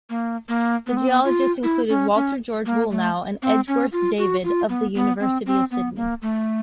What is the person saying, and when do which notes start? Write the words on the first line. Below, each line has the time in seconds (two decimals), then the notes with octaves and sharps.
The geologists included Walter George Woolnough and Edgeworth David of the University of Sydney.
0.10 A#3
0.49 A#3
0.87 B3
0.97 C4
1.07 B3
1.25 F4
1.63 E4
1.89 C#4
2.15 C#4
2.66 A#3
2.91 A3
3.43 C4
3.68 C#4
3.92 F4
4.18 F#4
4.44 F4
4.69 B3
4.95 B3
5.20 C4
5.46 C4
5.71 B3
5.96 A#3
6.22 A3